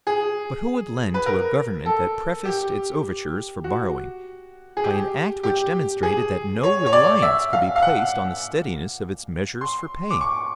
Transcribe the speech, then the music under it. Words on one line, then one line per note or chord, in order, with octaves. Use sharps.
But who would lend to a government that prefaced its overtures for borrowing by an act which demonstrated that no reliance could be placed on the steadiness of its measures for paying?
G#4
B4
A#4
A4
G4
F#4
G#4
G4
G4
G#4
C#5
C#5
D5
E5
F5
F5
F#5
C6
D6
C#6